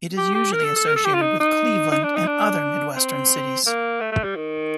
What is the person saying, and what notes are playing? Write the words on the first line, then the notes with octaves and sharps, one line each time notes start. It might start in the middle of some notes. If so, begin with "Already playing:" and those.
It is usually associated with Cleveland and other Midwestern cities.
G4
G4
A#4
A4
A4
A#4
A4
G4
F4
D#4
D#4
D#4
D4
D#4
D4
C4
A#3
A3
A3
G3
D#3